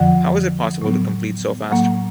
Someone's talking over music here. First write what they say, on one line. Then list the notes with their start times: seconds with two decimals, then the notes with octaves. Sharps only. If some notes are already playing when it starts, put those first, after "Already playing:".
How is it possible to complete so fast?
Already playing: F2 D3 F3 F#5
0.82 A2 F#3 B3
1.71 A2 F#3 A#3 F#5